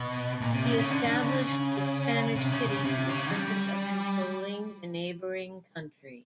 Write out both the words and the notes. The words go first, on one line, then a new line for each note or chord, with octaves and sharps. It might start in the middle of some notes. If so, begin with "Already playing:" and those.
He established a Spanish city for the purpose of controlling the neighboring country.
Already playing: B2
A#2
C3
C#3
C#3
D3
D3
C#3
C3
C#3
C#3
C3
C#3
G3